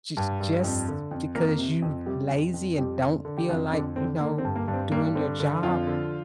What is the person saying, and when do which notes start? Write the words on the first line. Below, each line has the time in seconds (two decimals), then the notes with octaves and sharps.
jus just because you lazy and don't feel like, you know, doing your job,
0.17 G2
0.40 G2
0.63 F2
0.88 D3
1.11 F2
1.35 F2 A#3 A#4
1.59 C3
1.82 F2
2.06 C3 G3 G4
2.31 F2
2.54 F2
2.78 F2 G3 G4
3.01 D3
3.25 D3
3.38 G4
3.49 F2 F3 F4
3.72 F2 D3 D4
3.96 D3 C4
4.20 D3 A#3
4.38 C4
4.45 G2
4.56 A#3
4.68 G2
4.74 C4
4.92 G2 A#3
5.15 D3 C4
5.40 D3
5.63 F2 F3 F4
5.87 D3